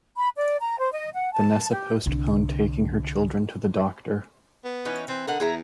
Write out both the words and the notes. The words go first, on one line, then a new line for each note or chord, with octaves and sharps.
Vanessa postponed taking her children to the doctor.
B5
D5
A#5
C5
D#5
F#5
A5
G4
C2 D3
B3
E3 C#4 D#4
E3 C4
D3 A#4 D#5 F#5
E2 G#4 E5 A#5